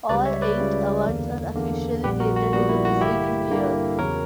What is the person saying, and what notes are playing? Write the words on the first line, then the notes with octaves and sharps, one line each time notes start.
All eight awards are officially dated in the preceding year.
C#2 C#3 G3 B4 D5
C#5 E5
B4 D5
C#2 C#3 G3
E2 D3 A#3
E2 D3 A#3
A#1 A#2 G3 B3 G4 B4
F#4 A#4
F#4
A#1 A#2 G3 B3 F#4
E4
F#4
G2 D3 A#3 E4 G4
G2 D3 A#3
E2 C#3 F#3 A#4 C#5